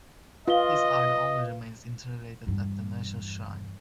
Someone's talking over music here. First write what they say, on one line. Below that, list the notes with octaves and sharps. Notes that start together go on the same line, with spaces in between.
His are the only remains interred at the national shrine.
F4 B4 D#5 F5 G7
E2 G2